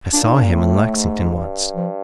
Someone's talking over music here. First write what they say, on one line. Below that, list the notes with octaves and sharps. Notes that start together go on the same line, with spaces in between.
I saw him in Lexington once.
A#2 D4
D#4
D4
A#3
A2 A3
G#2
G2
F3